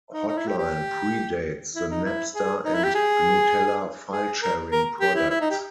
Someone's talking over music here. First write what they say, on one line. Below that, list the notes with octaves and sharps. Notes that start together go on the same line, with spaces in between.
Hotline predates the Napster and Gnutella file sharing products.
D#4
D#4
E4
G4
G4
E4
D#4
E4
G#4
D#4
E4
G4
G#4
G#4
A#4
A#4
G4
E4
E4
D#4
G4